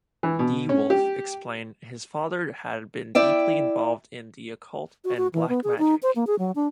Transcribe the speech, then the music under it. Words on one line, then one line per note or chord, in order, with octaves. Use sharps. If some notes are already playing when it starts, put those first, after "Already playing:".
DeWolf explained his father had been deeply involved in the occult and black-magic.
E3
B2
C#4
G4
E4 D5 E5 G5
F#4
F#4
E3
B3
G#4
D#4
C5
A#3
G#4
F#3
D4